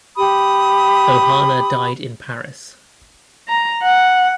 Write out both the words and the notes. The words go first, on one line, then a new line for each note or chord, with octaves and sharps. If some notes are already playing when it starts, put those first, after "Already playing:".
Ohana died in Paris.
G4 B5 D#6
A#5
F#5